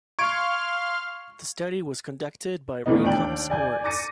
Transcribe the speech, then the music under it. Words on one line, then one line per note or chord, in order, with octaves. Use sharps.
The study was conducted by Raycom Sports.
F5 C6 C#6 F6 G#6 D7
A#2 D#3 E3 A3 B3 D#4
D#2 D4 G5 F#7
D5 G#5 G6
D6 A6 A#6 C#7 D#7